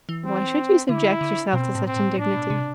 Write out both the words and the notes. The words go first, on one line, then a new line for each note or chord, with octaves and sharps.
"Why should you subject yourself to such indignity?"
E3
C4
D3 E4
D3
B2 C4
A2
C4
A2
A2 D4
B2
C3